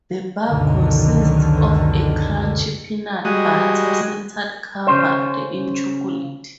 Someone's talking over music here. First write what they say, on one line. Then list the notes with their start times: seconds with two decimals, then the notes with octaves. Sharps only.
The bar consists of a crunchy peanut butter center covered in chocolate.
0.48 C#2 F#2 B2 D3 D#3
3.25 G3 G#3 F#4 D#5
4.87 C#3 C#4 C5